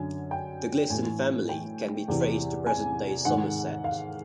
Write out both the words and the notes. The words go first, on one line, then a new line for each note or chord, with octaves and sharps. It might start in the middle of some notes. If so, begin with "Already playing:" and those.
The Glisson family can be traced to present-day Somerset.
Already playing: F#2 D3 G#5
G5
A2 E3 G#5
G5
E2 C3 E3
G#5
G#2 D#3 F#5
F5